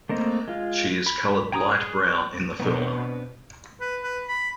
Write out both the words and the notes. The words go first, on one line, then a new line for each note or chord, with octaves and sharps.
She is colored light brown in the film.
A3 A#3 C4 D#5
G#3 F4
B5
G5 G#5 A#5 B5 D#6
G#4
B2 B3 C4 D4
B4
B4
B5